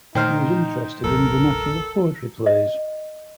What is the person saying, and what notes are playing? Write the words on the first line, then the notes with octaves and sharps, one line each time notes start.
He was interested in vernacular poetry plays.
A#2 D#3 A3 D#4 C5 F6
D#1 A1 F#3 A4 A#4
D#5